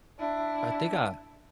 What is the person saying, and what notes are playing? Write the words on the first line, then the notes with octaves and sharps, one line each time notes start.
I think I
D4 E4